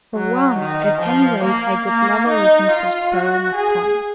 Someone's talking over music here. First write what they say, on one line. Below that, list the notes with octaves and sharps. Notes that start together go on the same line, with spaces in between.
For once, at any rate, I got level with Mister Sparrow MacCoy.
F#3
D#3
F3
A#3
A#3
D#4
F4
F#4
G#4